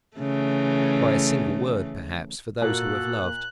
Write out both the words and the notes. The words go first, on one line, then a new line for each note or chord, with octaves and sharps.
By a single word, perhaps, for those who have loved.
C#3 E3 A3
A#2 A#3 F#4 A4 F#6